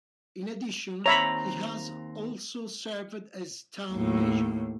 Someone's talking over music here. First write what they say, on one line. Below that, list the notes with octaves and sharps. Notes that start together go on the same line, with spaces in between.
In addition, he has also served as town mayor.
D#2 C4 C#5 E5 A#5 B5
D#2 A2